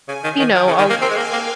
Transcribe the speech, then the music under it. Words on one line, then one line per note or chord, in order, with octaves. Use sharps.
you know, I'll
C#3 G#5
D#3
D#3
F3 G5
C#3
D#3
A#3
C4 G#5
G#3
A#3
G5
F5
A#3